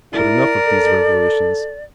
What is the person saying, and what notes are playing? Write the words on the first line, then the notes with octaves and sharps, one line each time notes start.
But enough of these revelations.
E4 A#4 D5
A4